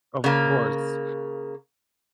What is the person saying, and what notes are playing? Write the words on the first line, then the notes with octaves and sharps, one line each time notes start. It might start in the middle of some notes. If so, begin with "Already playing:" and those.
Of course.
C#3 A#3